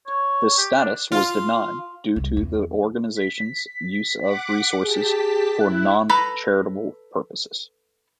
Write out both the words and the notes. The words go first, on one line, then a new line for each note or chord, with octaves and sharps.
This status was denied due to the organization's use of resources for non-charitable purposes.
C#5
G4
D4
F4
C2
E2
B6
F#5 D6
G4 G#4 A5 B6
E4 F#6
A4 B4 A#5 B5